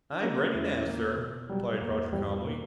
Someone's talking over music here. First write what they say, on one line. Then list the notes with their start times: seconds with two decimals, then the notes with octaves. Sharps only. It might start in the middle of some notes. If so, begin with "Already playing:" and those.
"I'm ready now, sir," replied Roger calmly.
0.13 D4
0.23 F#3 A#3 C#4
0.54 E2 C#4 E4
0.86 E2 A#3
1.18 B2
1.50 F#3 G3
1.81 E2 A#3
2.13 E2 G3
2.45 B2 A#3